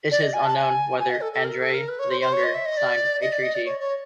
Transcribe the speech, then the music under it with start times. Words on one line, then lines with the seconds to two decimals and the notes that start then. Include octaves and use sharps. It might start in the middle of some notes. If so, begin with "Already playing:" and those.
It is unknown whether Andrei the Younger signed a treaty.
0.11 D5
0.22 D#5
0.33 G#5
0.44 A5
0.55 G#5
1.00 G#5
1.10 D#5
1.21 A4
1.33 A4
1.44 A#4
1.59 A4
1.74 A#4
1.88 B4
1.99 C#5
2.10 C5
2.21 C5
2.33 C#5
2.44 D#5
2.55 E5
2.66 D#5
2.77 D5
3.21 D#5
3.33 D5
3.43 D#5
3.55 D5
3.66 C#5
3.80 C#5